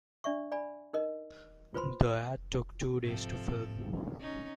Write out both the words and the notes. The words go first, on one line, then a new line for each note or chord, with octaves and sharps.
The ad took two days to film.
D4 D5 E5 C#6
D5 G#5 B5
D#4 A#4 D#5
F4 B4 C5 B5 C6
F1
G#2 C3 F3 A4
C#4 D#4